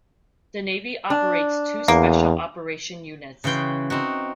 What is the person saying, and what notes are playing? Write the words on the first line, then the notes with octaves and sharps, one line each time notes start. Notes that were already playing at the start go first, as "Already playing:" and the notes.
The navy operates two special operation units.
D4
E2 A#3
C#3 E3 F#4 G5 C6
C4 D#4 F#4